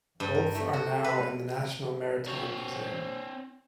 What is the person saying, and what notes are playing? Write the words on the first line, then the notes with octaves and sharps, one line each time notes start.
Both are now in the National Maritime Museum.
G2
A#4
A3
F#4
B4
C4 C#5